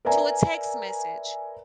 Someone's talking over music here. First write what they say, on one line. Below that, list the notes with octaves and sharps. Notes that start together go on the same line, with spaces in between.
to a text message."
A#4 B4 D5 E5 G#5 A#5